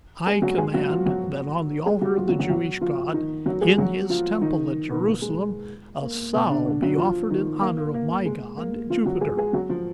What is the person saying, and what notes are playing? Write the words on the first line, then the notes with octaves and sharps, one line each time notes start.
I command that on the altar of the Jewish God, in His Temple at Jerusalem, a sow be offered in honour of my god Jupiter.
G#3 G#4
F#3 F#4
G#3 G#4
F#3 F#4
F3 F4
F#3 F#4
G#3 G#4
F#3 F#4
F3 F4
F#3 F#4
F#3 F#4
F#3 F#4
F3 F4
D#3 D#4
F#3 F#4
G#3 G#4
F#3 F#4
F3 F4
D#3 D#4
B2 B3
A#3
G#3
A#3
B2 B3
D3 D4
D3 D4
F#3 F#4
F3 F4
D#3 D#4
A#3
A#3
A#3
G#3
A#3
F3 F4
F#3 F#4
G#3 G#4
G#3 G#4
F#3 F#4
F3 F4